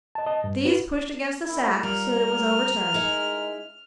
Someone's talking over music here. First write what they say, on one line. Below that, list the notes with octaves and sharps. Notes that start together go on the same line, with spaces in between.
These pushed against the sack so that it was overturned.
D#5 A5
D#5 A5
G2
F#4 B4
A#2 E4
G3 A#4 F6
G#3 D#4 E4 E5